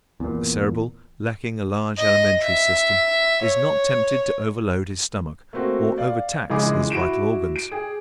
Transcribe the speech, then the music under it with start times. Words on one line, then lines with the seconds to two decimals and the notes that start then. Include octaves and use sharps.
The Cerebral, lacking a large alimentary system, is not tempted to overload his stomach or overtax his vital organs.
0.20 E2 A#2
1.98 D#5
2.43 E5
3.43 C#5
5.53 A3 A#3 C4 F#4
5.98 D5 F5
6.50 A#1 C#3 E3 G#3 G#4 D6
6.90 E4 F#4 D7 E7
7.56 D7
7.71 G#4 G5